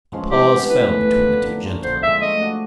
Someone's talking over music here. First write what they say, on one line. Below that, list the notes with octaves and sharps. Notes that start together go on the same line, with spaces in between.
A pause fell between the two gentlemen.
F3 G#3 C#4
E3 G4
G3 B3 D4
A2 B4
E3 A3
F3
A3 D4
A#3
C#4 F4
D3 C5
F3 G#3 E5
A3 D#5
D4 F#4